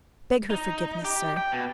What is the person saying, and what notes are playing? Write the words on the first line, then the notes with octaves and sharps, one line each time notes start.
Beg her forgiveness, sir.
D#4
G4
G5
B2